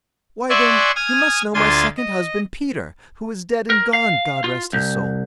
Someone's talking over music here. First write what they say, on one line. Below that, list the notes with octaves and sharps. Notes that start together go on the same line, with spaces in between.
Why, then, you must know my second husband Peter, who is dead and gone, God rest his soul.'
D5 E5 F#5 G#5 C6 C#6
G#5 D#6 F6 G#6
D2 D4 F4 G#5 C6 A6
D#5
A#4
F5
F4
C2